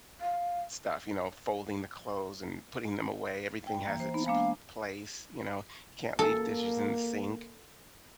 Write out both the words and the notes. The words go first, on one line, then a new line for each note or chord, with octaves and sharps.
stuff, you know, folding the clothes and putting them away, everything has its p place, you know, you can't leave dishes in the sink,
F5
G5
E3 A#3 A#5
C5
B3 D#4
G#3 A#3 D4 F5
A#3 A4